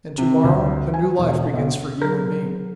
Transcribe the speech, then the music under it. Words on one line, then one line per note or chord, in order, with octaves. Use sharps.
"And to-morrow a new life begins for you and me."
C3
D2
G#5
E1
B1
F#3 G#4 A#4